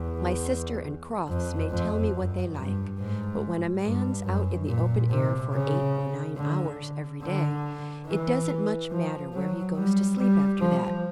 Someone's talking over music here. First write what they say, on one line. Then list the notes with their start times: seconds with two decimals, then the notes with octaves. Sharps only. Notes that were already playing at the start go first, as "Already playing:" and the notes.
My sister and Crofts may tell me what they like, but when a man's out in the open air for eight or nine hours every day, it doesn't much matter where he goes to sleep after that.
Already playing: E2
1.28 F2
1.71 F2
2.14 F#2
2.55 G2
2.98 G#2
3.83 G2
4.25 F#2
4.67 A#2
5.10 C3
5.53 C#3
6.36 D3
7.21 D3
8.06 E3
8.91 F3
9.33 F#3
9.76 G3
10.17 G3
10.59 F3